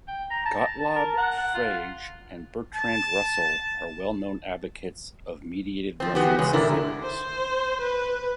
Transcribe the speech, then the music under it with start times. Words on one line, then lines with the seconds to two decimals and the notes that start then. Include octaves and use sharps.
Gottlob Frege and Bertrand Russell are well-known advocates of mediated reference theories.
0.08 G5
0.31 A#5
0.46 A5
0.96 A#4
1.18 F#5
1.54 F4
2.76 A5
6.00 F3 C4
6.15 D#3 E3 B3 F#4 G4
6.39 E2 C#3 G#3 C#5
6.53 A#2 D3 E4 A#4
7.03 C5
7.81 B4